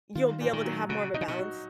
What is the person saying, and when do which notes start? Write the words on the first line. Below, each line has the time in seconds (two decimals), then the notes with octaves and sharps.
you'll be able to have more of a balance.
0.15 D#3 F4
0.41 A#2
0.53 D#3
0.65 F#3
0.89 C#3 F#4
1.14 B2 D#4
1.21 C#3
1.28 B2
1.39 F#4